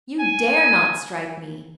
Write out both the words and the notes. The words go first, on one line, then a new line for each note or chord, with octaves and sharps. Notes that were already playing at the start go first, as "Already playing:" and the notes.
You dare not strike me!
G#5